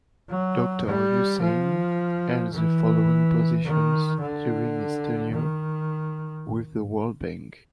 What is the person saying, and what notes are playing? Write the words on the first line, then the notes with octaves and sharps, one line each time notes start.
Doctor Husain held the following positions during his tenure with the World Bank.
F#3
G3
F3
E3
D#3
D3
D#3